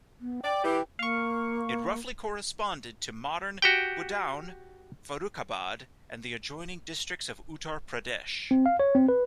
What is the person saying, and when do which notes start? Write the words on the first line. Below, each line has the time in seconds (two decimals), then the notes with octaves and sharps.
It roughly corresponded to modern Budaun, Farrukhabad and the adjoining districts of Uttar Pradesh.
0.21 B3
0.43 D5 G5
0.64 E3 G4
0.99 A#3 F5 C#6
3.62 F#4 G4 G5
8.51 C4
8.66 F5
8.80 C#5
8.95 C4
9.09 B4